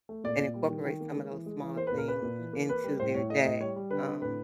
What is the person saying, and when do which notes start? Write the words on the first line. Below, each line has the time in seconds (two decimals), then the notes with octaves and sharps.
and incorporate some of those small things into their day, um,
0.09 A3
0.24 A#2 D5
0.39 A#2
0.55 G3
0.70 D#3
0.85 D#3
1.01 A#3
1.16 G#3
1.31 E3
1.46 G#3
1.62 E3
1.76 A#3 C5
1.87 B4
1.92 A#2
1.98 A#4
2.08 A#3 B4
2.22 A#2
2.38 E3
2.53 A#3
2.69 A#3 B4
2.84 G3
2.99 A2 C5
3.14 A2 C#5
3.30 A3 D#5
3.45 A2 D#5
3.60 G3 C#5
3.76 G3
3.91 D3 B4
4.06 D3
4.22 A2 B4